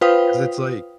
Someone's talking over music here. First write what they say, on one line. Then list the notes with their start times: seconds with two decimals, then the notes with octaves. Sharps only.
'Cause it's, like
0.01 F4 B4 C5 F5 G5 D#6